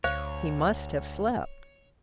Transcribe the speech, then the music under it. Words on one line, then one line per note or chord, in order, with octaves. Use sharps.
He must have slept.
D2 C5 C#5 F5